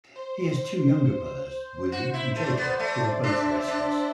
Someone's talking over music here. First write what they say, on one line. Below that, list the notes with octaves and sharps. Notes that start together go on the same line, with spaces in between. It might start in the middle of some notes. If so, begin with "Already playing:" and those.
He has two younger brothers, Willy and Jacob, who are both wrestlers.
C5
F#4 C5
E4
A3 C5
D5
C5
B3
A3 D5
D4 E5
D4